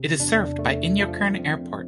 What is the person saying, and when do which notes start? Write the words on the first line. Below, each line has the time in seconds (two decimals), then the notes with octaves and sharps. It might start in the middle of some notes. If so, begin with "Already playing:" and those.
It is served by Inyokern Airport.
Already playing: C3
0.20 E2 D4
0.59 A3
0.99 F3
1.39 C4